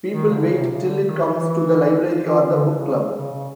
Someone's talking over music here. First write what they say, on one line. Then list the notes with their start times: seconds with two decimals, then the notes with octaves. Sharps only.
People wait till it comes to the library or the book-club.
0.12 D#3
0.30 C#3
0.35 D3
0.47 C#3
0.59 C3
0.71 C#3
0.83 D3
1.06 D#3
1.29 E3
2.24 E3
2.48 D3
2.71 C#3
3.18 C#3
3.33 C#3